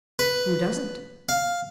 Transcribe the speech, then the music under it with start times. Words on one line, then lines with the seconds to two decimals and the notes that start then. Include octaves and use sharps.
Who doesn't?
0.19 B4
1.29 F5